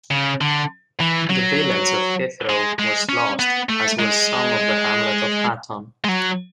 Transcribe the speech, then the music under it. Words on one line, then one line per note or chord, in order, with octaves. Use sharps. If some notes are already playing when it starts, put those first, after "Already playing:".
The village of Heathrow was lost, as was some of the hamlet of Hatton.
C#3
D3
E3
F#3
G#3
G#3
C#4
B3
A3
G#3
G#3
F#3